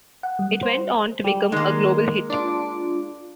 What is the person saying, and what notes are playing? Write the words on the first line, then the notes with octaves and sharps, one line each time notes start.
It went on to become a global hit.
F#5
G3
C5
G3
D#3 G#3 A#3
D4 F4 D6